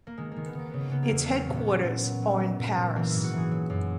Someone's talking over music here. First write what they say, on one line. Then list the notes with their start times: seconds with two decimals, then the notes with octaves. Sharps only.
Its headquarters are in Paris.
0.07 A#3
0.18 D#3 G#3
0.32 D#3 A#3
0.46 B3
0.55 D#3 A#3
0.70 C#3 B3
0.81 A#3
0.91 C#3 B3
1.03 A#3
1.11 E2
1.24 B3
1.29 F#3 A#3
1.48 A#2 C#4
1.57 B3
1.67 F#3
1.84 A#2
2.04 F#3
2.22 F#3
2.40 F#3
2.59 A#2
2.77 A#2
2.96 E3 A#3
3.10 G#2 E4
3.24 F#4
3.34 E3 G#4
3.51 F#3
3.70 F#2